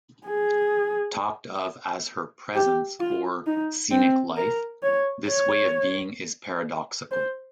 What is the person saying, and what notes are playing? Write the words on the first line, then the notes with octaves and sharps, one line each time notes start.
Talked of as her "presence" or "scenic life", this way of being is paradoxical.
G#4
G4
F4
D#4
C4
A#4
C#5
C#5
C5